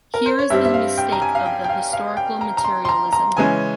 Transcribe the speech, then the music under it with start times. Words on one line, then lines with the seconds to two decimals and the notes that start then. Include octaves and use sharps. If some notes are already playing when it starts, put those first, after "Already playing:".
Here is the mistake of the historical materialism.
0.14 A#4
0.26 C5
0.39 C#5
0.50 G2 G3 C4 E5
0.65 E5
0.74 F5
0.98 G5
1.12 A#5
1.22 G#5
1.35 F5
1.46 G5
1.64 G5
1.69 F5
1.93 F5
2.17 G5
2.41 A#5
2.57 A#5
2.64 C6
2.85 C6
2.89 A#5
3.13 A#5
3.37 C#3 E3 G#3 C#4 G#5